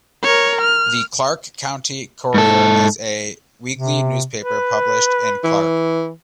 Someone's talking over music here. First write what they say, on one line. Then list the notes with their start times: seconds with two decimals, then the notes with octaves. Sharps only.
The "Clark County Courier" is a weekly newspaper published in Clark.
0.23 A#4 C#5
0.61 F6
2.34 G#2 A4
3.73 C3
4.39 B4
5.44 E3